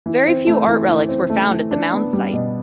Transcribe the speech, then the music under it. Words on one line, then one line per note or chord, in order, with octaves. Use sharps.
Very few art relics were found at the mounds site.
E3
C4
A3
E3
E3
C4
A3
E3
D4
B3
G3
B2